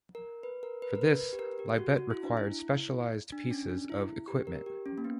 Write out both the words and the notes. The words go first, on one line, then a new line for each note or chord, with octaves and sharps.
For this, Libet required specialized pieces of equipment.
A#4
B4
A#4
B4
A#4
B4
B4
G4
A#4
G4
F#4
F#4
E4
D4
E4
D4
C#4
D4
E4
G4
A#4
G4
C#4
A#3
B3